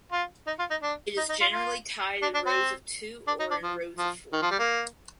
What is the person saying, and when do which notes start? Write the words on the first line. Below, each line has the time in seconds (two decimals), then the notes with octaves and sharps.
It is generally tied in rows of two or in rows of four.
0.12 F4
0.47 D#4
0.59 F4
0.71 D#4
0.82 D4
1.17 D#4
1.29 D#4
1.41 F4
1.52 F4
2.22 D4
2.34 D4
2.46 C4
3.27 D4
3.40 D#4
3.51 D4
3.63 F3
3.99 F3
4.33 D#3
4.42 F3
4.51 G3
4.59 A#3